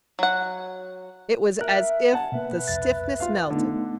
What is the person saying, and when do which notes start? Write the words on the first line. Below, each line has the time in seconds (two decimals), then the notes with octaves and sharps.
It was as if the stiffness melted.
0.19 F#3 F#5
1.61 A#4 E5 F#6
2.13 F#5 G#5 A5
2.32 B2 A#3 B4 E5
2.68 C2 F2 A6
3.20 F4 F5
3.50 D3 A3 B3 D#4